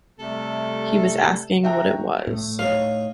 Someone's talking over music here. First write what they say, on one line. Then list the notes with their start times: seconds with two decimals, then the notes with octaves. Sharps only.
He was asking what it was.
0.19 C3 G3 A3 A4
1.63 F#4 E5 G5 A#5
2.27 A2 A3
2.59 D#4 C#5 F5 A#5